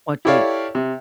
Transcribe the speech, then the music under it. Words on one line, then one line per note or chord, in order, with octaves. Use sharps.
What do we
E4 G4 A4 C#5 D5 F5
C3